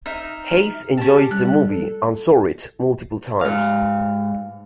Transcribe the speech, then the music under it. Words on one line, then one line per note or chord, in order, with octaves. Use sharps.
Haise enjoyed the movie and saw it multiple times.
D#4 E5 F6
C#4 G4 G5 A5
G3 F#6
A4
G#2 F5